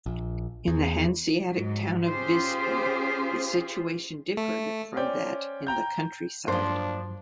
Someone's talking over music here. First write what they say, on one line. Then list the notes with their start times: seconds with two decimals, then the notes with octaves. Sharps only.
In the Hanseatic town of Visby the situation differed from that in the countryside.
0.06 A#1
0.68 E2
1.47 G#2 F#3
2.06 C#4 F4 G4 G#4 C5
4.37 A3
4.97 C#4 C5 D5 G5
5.67 G5 A#5 G6
6.48 G2 F3 F#3 A#3 D4 C5